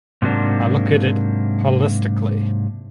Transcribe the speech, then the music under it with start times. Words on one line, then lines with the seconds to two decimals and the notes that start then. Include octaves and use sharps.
I look at it holistically.
0.22 G#2 C3 F#3 A#3 D4